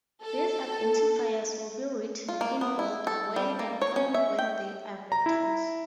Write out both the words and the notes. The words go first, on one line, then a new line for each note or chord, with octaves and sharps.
These identifiers will be written in bold when and only when they are vectors.
A4
F4
A#3
B3
E4
A4
G3
A#3
C#5
C#4
E5
G5
A#5
E4